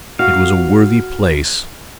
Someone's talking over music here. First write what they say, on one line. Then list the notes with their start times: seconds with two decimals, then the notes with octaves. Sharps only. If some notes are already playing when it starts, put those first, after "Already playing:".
It was a worthy place.
0.19 F#4 F5